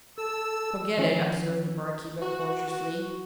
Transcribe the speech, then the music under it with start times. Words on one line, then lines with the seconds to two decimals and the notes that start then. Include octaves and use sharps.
"Forget it!" observed the barkeeper cordially.
0.18 A4 E6
0.97 D#3 F3 C#4
2.21 F#4
2.68 F#4